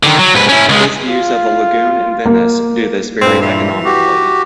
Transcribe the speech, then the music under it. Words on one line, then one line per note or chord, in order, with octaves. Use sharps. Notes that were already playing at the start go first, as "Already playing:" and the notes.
His views of the lagoon in Venice do this very economically.
D3 D#3
F#3
G#2 B4
C#4 E4
C#2 G#3
F4
A#3
G2 A#2 C4
E3
F#4 G4